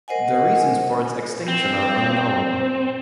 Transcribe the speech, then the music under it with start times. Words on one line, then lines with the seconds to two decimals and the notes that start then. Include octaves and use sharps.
The reasons for its extinction are unknown.
0.08 A#4 C5 D#5 F#5 G#5
1.48 C4